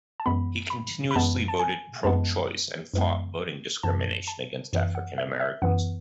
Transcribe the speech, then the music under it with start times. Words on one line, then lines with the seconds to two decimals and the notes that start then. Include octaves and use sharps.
He continuously voted pro-choice and fought voting discrimination against African Americans.
0.20 A5
0.26 F#2 E3 G#3 B3 B5
0.70 B5
1.11 B5
1.15 F#2 E3 G#3 B3 A5
1.48 A5
1.59 G#5
2.04 F#2 E3 G#3 B3 A5
2.94 F#2 E3 G#3 B3
3.83 F#2 E3 B3 A5
4.28 A5
4.73 F#2 E3 B3
4.95 F#5
5.18 E5
5.40 E5
5.62 F#2 E3 B3 F#5